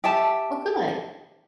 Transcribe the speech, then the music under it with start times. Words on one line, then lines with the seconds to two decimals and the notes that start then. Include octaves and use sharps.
Oh, good.
0.04 G4 E5 A5